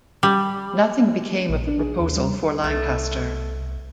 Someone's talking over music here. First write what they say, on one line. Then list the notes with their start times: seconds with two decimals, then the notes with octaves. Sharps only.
Nothing became of the proposal for Lancaster.
0.23 G3
1.49 A#1
1.67 D4
1.79 G#4
2.00 D#2
2.16 G3
2.64 C2 A3